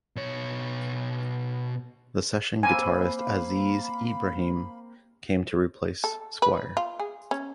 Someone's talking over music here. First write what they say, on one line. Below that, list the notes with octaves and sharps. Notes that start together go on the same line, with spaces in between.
The session guitarist Aziz Ibrahim came to replace Squire.
B2 C#5
A#3 C4 F5 G#5 B5
A4
B4
F4
G#4
C#4